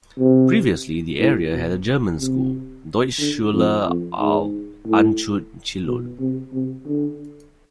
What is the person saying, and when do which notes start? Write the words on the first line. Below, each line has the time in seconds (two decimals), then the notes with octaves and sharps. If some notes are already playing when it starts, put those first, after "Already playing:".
Previously the area had a German school, Deutsche Schule Ancud-Chiloe.
0.19 C3
1.19 A2
1.52 B2
2.20 C3
3.19 D3
3.53 F2
3.86 F2
4.20 G#2
4.87 A2
5.87 B2
6.20 C3
6.53 C3
6.87 D3